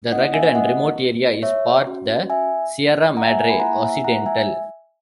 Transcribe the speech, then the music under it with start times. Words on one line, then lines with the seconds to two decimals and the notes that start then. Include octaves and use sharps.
The rugged and remote area is part the Sierra Madre Occidental.
0.11 A#3 C#4 E4 D#5 F#5
0.34 E5 G#5
0.55 D#5 F#5
1.43 C#5 E5
1.87 C#4 F#4
2.30 E5 G#5
3.17 F#5 A#5
3.27 E5 G#5
3.38 E5 G#5
3.49 G#5 B5
3.60 A#3 E4 G#4 F#5 A#5
3.82 E5 G#5
4.04 F#5 A#5
4.26 E5 G#5